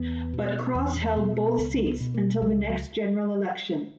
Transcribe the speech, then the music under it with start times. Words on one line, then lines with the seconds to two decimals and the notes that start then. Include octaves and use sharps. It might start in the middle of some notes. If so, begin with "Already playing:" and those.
But Cross held both seats until the next general election.
Already playing: E2 B3
0.34 B2
0.75 E2
1.17 B2
1.59 C#2 B3
1.86 B3
2.00 B2
2.14 A#3
2.42 C#2 G#3
2.70 F#3